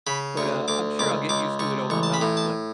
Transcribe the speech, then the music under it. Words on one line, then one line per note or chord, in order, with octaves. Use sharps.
but, uh, I'm sure I'll get used to it over time, but
C#3 B5
D2 C#6
D2 D6
C#2 D6
C#2 D6
C#2 C#6
A1 C#6
A5
B5
A2
A5